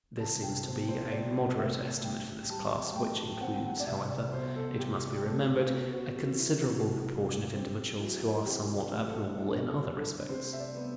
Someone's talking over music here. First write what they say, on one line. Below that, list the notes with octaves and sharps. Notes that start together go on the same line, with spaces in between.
This seems to be a moderate estimate for this class, which includes, however, it must be remembered, a considerable proportion of individuals who are somewhat abnormal in other respects.
C2 A5
G5
B2 C5
C5
C2 D5
A3 E5
A2 G5
G3 A5
A2 G5
C4 F#5
G5
F#5
D5
C2 E5
D5
B2 C5
A4
C2 G4
G4
A3 A4
B3 F#4
F#4
C3 F#4
E4
C2 F#4
F#3
C4 G4
F#3 E4
C3 G4
G4
A3
A4
D4 A4
A4
G3
A4
C3 C5
E5
D5
B3